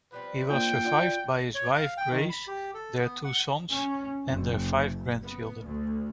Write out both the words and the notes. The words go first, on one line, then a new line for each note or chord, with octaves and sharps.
He was survived by his wife Grace, their two sons, and their five grandchildren.
F3 G3 C4 B4
A#3 D4 F4 G5
F4 F#4 D5 F#5
C#5
F5
G5
D#3
B5
G4
A4
B3
F#5
C#4
F#1
B3
D2